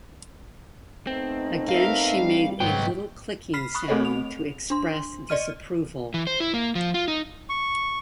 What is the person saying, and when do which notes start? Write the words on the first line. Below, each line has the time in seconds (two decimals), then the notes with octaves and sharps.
Again she made a little clicking sound to express disapproval.
1.07 A3 B3 C4 D#4
1.69 A#4 E5 F5
2.18 G3
2.60 G#2 D#3 F#3 B3 G5
3.54 B5 F6 B6 C7
3.75 B5 C#6 D#6 F#6
3.88 A3 C4 G#4 A4 C#5 D#5
4.05 F7
4.70 D4 C6
5.29 D5 D#5 F6 D#7
6.14 E3
6.27 C5
6.40 E4
6.54 A#3
6.75 F3
6.94 F4
7.08 D#4
7.49 C#6